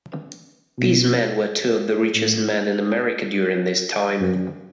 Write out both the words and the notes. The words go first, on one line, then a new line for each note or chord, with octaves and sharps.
These men were two of the richest men in America during this time.
B2
A2
F#2